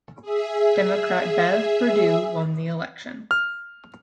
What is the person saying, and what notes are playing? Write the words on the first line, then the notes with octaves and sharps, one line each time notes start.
Democrat Bev Perdue won the election.
G#4 E5
F6